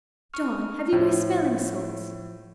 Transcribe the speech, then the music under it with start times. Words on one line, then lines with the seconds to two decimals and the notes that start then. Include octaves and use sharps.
John, have you my smelling salts?
0.34 C#6 F6
0.92 A2 F3